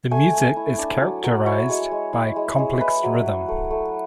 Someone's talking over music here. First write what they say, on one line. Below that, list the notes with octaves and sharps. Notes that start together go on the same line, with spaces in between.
The music is characterised by complex rhythm.
A3 G#5
A3
E4
D4
F#3
F#3
E4 C#5
G#3
G#3
E4
G#3
G#3
E4 B4
F#3
F#3
A3
A3